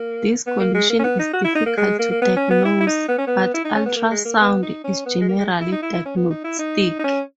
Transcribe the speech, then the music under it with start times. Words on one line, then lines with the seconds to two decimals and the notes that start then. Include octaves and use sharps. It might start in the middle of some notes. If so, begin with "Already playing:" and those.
This condition is difficult to diagnose, but ultrasound is generally diagnostic.
Already playing: A#3
0.47 B3
0.60 A#3
0.75 G#3
0.90 A#3
0.99 C#4
1.04 B3
1.19 D#4
1.33 F#4
1.44 E4
1.55 D#4
1.66 A#3
1.77 G#3
1.99 A#3
2.11 A#3
2.22 B3
2.36 C#4
2.50 B3
2.65 E4
2.80 E4
2.87 D#4
3.08 B3
3.18 C#4
3.27 B3
3.54 E4
3.65 D#4
3.75 C#4
3.86 B3
3.96 A#3
4.11 G#3
4.25 A#3
4.40 B3
4.62 D#4
4.84 C#4
5.06 B3
5.21 G#3
5.29 A#3
5.38 G#3
5.60 E4
5.72 D#4
5.82 E4
5.93 E4
6.05 C#4
6.16 B3
6.30 D#4
6.44 E4
6.59 D#4
6.99 D#4
7.04 C#4